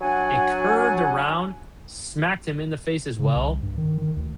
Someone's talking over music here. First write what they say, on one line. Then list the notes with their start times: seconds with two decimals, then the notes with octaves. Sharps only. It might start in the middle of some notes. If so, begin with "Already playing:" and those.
it curved around, smacked him in the face as well,
0.01 F#3 D4 F#5 G#5
3.19 C#3
3.36 C2
3.63 G2
3.78 D#3
3.98 D#3
4.17 D2